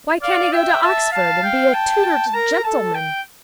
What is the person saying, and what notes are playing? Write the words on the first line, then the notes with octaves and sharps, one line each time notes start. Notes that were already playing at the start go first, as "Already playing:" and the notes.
Why can't he go to Oxford, and be a tutor to gentlemen?'
D5 F5
E5 G5
E5 A5
F5 A5
G5
A5
A5
A#4 A#5
A4 A5
G5